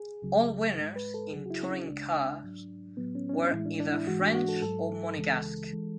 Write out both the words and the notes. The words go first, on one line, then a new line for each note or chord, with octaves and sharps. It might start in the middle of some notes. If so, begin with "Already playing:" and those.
All winners, in touring cars, were either French or Monegasque.
Already playing: G#4
C#2 C#3 F#3
G#2 G#3
B4
A4
C#2 C#3 F#3 G#4
F#4
E4
C#4
D4
C#2 C#3 G#3 D4
G#2 F#3
A2 F#3 B3
C#4
C#4
D4
A2 E3 G#3 E4
D4
D4
E4
G#2 E3 G#3 F#4
D4
F#4
A4
G#2 F#3 A4
C#2 C#3 E3 G#3
E3 G#3